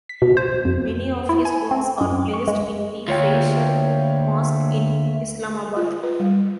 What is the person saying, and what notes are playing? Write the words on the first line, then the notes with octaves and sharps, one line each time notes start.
Many of his works are placed in the Faisal Mosque in Islamabad.
B6
B2
C5
F2
E4
G#5
C4
F#2
C#6
G#3
D2 A3 A#3 F4 C#5 E5 G5
F4
B4
G3